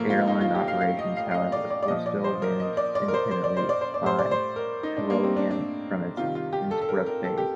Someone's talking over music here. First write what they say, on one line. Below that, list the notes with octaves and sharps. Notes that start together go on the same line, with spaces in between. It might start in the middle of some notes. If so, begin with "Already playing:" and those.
Airline operations, however, were still managed independently by Tyrolean from its Innsbruck base.
Already playing: A2 F3 A3 A#3
F4
D#4
F4
G4
F5
F5
D#5
F5
F5
D#5
D5
D5
D5
A#2 F3 D#5
D5
C5
A#4
D#5
D5
D5
A#4
C5
C5
D5
C5
D5
C5
D5
A2 G3 C5
D5
C5
A#4
D#4
D4
A#3
C4
D4
D4
C3 D#3 G3 F4
F4
G4
A4
A4
A#4
A#4
A4
G4